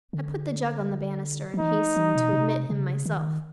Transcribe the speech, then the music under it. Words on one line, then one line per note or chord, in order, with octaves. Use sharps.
I put the jug on the banister and hastened to admit him myself.
D3
F3
E3 D#4
E3
B2
C3
C#3
D#3